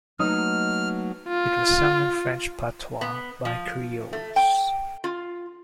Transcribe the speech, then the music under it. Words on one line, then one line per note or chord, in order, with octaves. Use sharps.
It was sung in French patois by Creoles.
F#3 A3 A#3 D#4 B4 D#6 F6
F4
B3
F3
A3
G5
F4